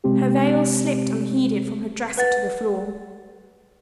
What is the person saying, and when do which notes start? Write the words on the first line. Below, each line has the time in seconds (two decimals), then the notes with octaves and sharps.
Her veil slipped, unheeded, from her dresser to the floor.
0.04 C3 G#3 C4 G4
2.17 B4 F#5 A6